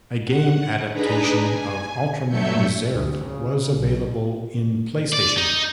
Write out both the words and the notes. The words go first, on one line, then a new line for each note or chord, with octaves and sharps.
A game adaption of Ultraman Zearth was available in PlayStation.
F#5
D4 D#4 G#4 B4 A#5 B6
G#5
G2 F#3 A3 E5 G6 C#7
D2
C#3
B1
D5
D#4